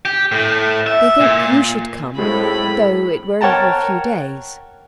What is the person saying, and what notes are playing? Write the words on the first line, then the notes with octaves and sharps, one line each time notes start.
"They think you should come, though it were only for a few days."
G4
A2
E5
A#2
A2 G#3 C4 F5 B5 D#6
A#4 C#5 F#5 G5 A5 A#5